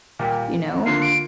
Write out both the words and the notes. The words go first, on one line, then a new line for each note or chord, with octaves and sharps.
you know?
A#2 G3 A#3 G4
D3 A#3 F4 C7
D7